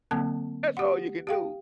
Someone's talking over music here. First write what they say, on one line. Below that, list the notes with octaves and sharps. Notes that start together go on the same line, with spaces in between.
all you can do.
D3 F#3 A#3 C4 A5
G4 F#5
G4 F5 G5